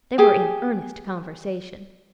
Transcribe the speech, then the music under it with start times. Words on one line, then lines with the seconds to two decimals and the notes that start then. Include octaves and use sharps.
They were in earnest conversation.
0.18 G4 G#4 G#5